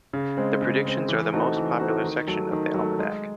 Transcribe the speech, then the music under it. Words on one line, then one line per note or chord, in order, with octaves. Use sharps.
The predictions are the most popular section of the "Almanac".
C#3
G#3 C4
C#3
G#3 C4
E3
A3 C4 D#4 F#4
E3
A3 C4 D#4 F#4
D#3
F#3 A3
D#3
F#3 A3
G#3